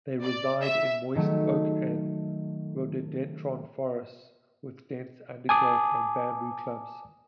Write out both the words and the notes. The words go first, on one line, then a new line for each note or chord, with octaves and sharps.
They reside in moist oak and rhododendron forests with dense undergrowth and bamboo clumps.
D5
E5
D#3 F#3 A3
G#5 A5 D6 D#6